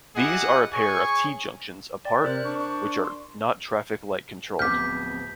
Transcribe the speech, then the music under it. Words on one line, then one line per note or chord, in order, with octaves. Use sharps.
These are a pair of T-junctions, apart, which are not traffic-light controlled.
E4 G4 G#4 D#5 F#5
G#4 C#5 G#5 C#6
D5 G5
C3 A#4 C5 D5 F#6
D4 C#6
C#6
C6
D1 F2 B3 D6 F6 G6 B6